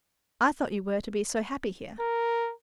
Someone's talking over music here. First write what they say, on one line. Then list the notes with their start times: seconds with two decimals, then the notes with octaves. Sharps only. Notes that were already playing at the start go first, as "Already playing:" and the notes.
"I thought you were to be so happy here."
2.00 A#4